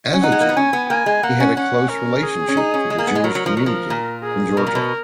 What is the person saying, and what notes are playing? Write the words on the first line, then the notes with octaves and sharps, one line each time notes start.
As a Jew, he had a close relationship to the Jewish community in Georgia.
C#4
D#4 F#5
G#3
A#3
B3
C#4 G#5
B3
A#3 G#5
G#3
A#3 F#5
C#4
C#4 F#5
A#4
G#4
C#4
D#4
C#4
G#3
A#3
B3
G#3
F#3 A#4
F#3
F3
F#3
F3
A#2
G#4
B2 A#4
A#2
B2